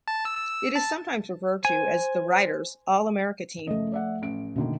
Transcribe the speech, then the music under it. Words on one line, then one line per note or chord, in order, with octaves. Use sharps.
It is sometimes referred to as the "Writers' All-America Team".
A5
E6
E6
A5
C5 G#5
F#1 F3 A3 D#5
D5 E5 F#5
A1 D7
F#2 B2 D3 D#3 A#3